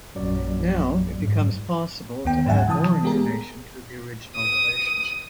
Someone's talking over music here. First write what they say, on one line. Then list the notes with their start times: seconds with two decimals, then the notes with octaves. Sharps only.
Now, it becomes possible to add more information to the original relationship.
0.15 A#1 F#2 F#3 D5
1.19 G#2
2.25 D2 D#3 B3 G5
2.46 G#2 F#3 E5 F#5 G#5
2.67 C3 E3 A5 D#6
3.03 G#3 B3 G4 G#4 A#4
4.36 D#6